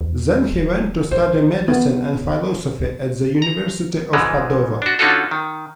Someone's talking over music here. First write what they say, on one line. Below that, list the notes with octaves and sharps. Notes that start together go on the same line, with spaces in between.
Then he went to study medicine and philosophy at the University of Padova.
E2
D1
A#1 C5
B3
A#5
G#2 E3 F3 G#3
D4 F#4
D3 C#4 D#4 F4 F#4 A4
D#3